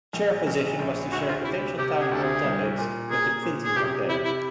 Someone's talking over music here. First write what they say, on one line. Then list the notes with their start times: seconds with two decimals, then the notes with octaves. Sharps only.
Chair position was to share potential town hall topics with the Clinton campaign.
0.13 A#1
0.47 A#1
0.79 A#1
1.12 D2 F#4
1.28 F4
1.45 C3 E4
1.78 C3 G4
2.01 G#4
2.12 D2 A4
2.23 G#4
2.44 C2
2.78 A#2
3.10 A#3 G#4
3.43 A#2
3.65 G#4
3.76 C3 G4
4.08 C3 E4
4.25 E4